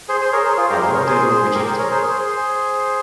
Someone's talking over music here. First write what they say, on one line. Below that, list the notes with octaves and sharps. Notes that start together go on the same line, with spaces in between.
I hope they don’t reject me.
G#4 C5
G#4 C5
A#4 C#5
G#4 C5
F4 G#4
G4 A#4
G#4 C5
A#4 C#5
G#4 C5
G#4 C5
G4 A#4
G#4 C5
A#4 C#5
G#4 C5
G#4 C5
G#4 C5